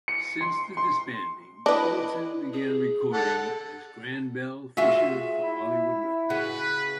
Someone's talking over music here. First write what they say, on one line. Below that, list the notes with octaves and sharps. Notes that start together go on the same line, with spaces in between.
Since the disbanding, Littleton began recording as Gran Bel Fisher for Hollywood Records.
C#7
C6
C6
D4 E4 B4 D#5
G#4
A4 F#5
F4 F#4 G#4 E5
E4
C#3 F#4 B4